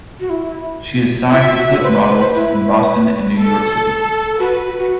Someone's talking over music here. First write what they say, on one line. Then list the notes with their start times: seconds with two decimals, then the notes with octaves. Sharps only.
She is signed to Click Models, in Boston and New York City.
0.20 F#4
0.30 E4
1.31 E4 E5
1.45 F#4
1.57 F#4
1.70 F#4
1.83 B4 C5
1.96 D5
2.08 C5
2.21 C5
2.34 E4 B4
3.37 A4
4.39 F#4 B4
4.65 F#4
4.78 F#4